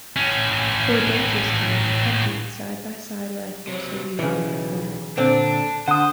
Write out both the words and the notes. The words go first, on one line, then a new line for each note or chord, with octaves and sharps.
For dangerous game hunting, side by side rifles are usually preferred.
A2 C#4
C3 F#3
B1 C#3 E3
A#2 D3 C4 D4
D3 C5 F#5 D#6